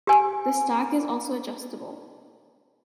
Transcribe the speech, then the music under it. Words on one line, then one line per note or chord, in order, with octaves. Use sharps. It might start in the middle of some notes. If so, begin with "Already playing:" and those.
The stock is also adjustable.
G4 G#5